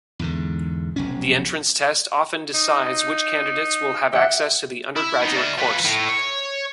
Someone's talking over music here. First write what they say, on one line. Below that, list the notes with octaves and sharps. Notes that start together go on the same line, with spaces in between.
The entrance test often decides which candidates will have access to the undergraduate course.
E2 G#2 D3
F1 B1 C#4
D#4
G4 E5 F#5
E4
B3 D#4
D5 E5
F3 B4
A2
C#5